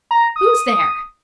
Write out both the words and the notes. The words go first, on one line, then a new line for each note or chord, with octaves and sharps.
Who's there!
A#5
D#6